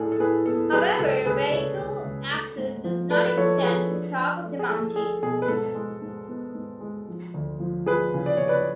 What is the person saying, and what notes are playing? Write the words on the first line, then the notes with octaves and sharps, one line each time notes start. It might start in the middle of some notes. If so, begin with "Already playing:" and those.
However vehicle access does not extend to the top of the mountain.
Already playing: A2 D4 G#4 A4
A4
A2 G#4 B4
B3 A4
F#3 G#4 B4
C#2 A4
C#2 G#4 B4
D5
C#2 A4 C#5
C#2
C#2
A3
G#2
F3
A3 B4 D5
B4
F3 A4 C#5
A4
F3 G#4 B4
D4
D4
A3
G#4
A3 A4
A3 G#4
B2 G#4
B4
G#2 A4
G#3
G#2
B3
G#2
G#3
F3
D2
F3
F3 G#4 B4
C#3
D5
C#3 C#5
B4 D5
D5